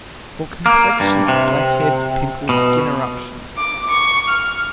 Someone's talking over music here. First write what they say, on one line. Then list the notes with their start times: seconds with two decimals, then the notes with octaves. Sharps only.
For complexion, blackheads, pimples, skin eruptions.
0.66 A#3
1.00 G2
1.28 C3
2.49 B2
3.57 D6
3.90 C#6
4.29 F6